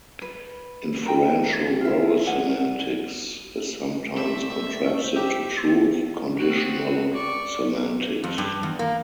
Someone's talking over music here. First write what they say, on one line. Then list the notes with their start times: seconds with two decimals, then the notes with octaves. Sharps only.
Inferential role semantics is sometimes contrasted to truth-conditional semantics.
0.22 B4
1.04 A4 A#4 G5
1.81 F4 E5
2.26 D5 F#5 G#5
4.17 A3 C4 G4 D5 E5
5.03 C5
5.16 D#4 G4
6.36 C4 F#4
7.13 D5 C#6
8.24 F2
8.38 G2
8.63 E2
8.79 A#3